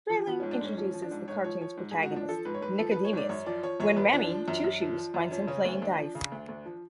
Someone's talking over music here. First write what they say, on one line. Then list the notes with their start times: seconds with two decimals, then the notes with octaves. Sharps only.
Freleng introduces the cartoon's protagonist, Nicodemus, when Mammy Two-Shoes finds him playing dice.
0.10 F3
0.27 F3 B3
0.40 G#2 C#4
0.51 D4
0.61 G#2 C#4
0.77 F3 C#4
0.94 F3
1.02 D4
1.11 G#2
1.28 G#2 C#5
1.44 F3 C#5
1.61 F3 C#5
1.77 G#2
1.91 G#2 G#4
2.03 F#4
2.11 F3
2.16 D4
2.29 F3 A4
2.45 G#2 B4
2.54 C#5
2.62 G#2 B4
2.79 F3 A4
2.91 F3 B4
3.05 C#5
3.13 G#2 D5
3.29 F#2 C#5
3.46 F3 D5
3.63 F3 C#5
3.80 F#2 C#5
3.96 F#2 B4
4.13 F3 D4
4.31 F3
4.48 F#2
4.64 F#2
4.81 F3
4.98 F3
5.14 F#2
5.31 F3 C#4
5.47 C#3 C#4
5.64 D2 C#4
5.82 D2 D4
5.98 F3
6.15 C#3
6.32 D2
6.48 D2
6.66 F3